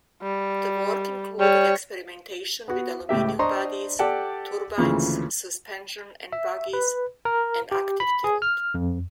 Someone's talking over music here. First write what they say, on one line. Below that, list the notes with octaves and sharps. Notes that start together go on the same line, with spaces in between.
The work included experimentation with aluminium bodies, turbines, suspension and bogies, and active tilt.
G3
G3 C#5
B3 F#4
C#2 A2 G4 E5
D4 C5 D#5 A#5 C6 C#6
G4 A4 D5 F#5 G5 A5
D2 A#2 C#3 E3 F3
E5
B4
A#4
G4
B5
G#4
F6
F2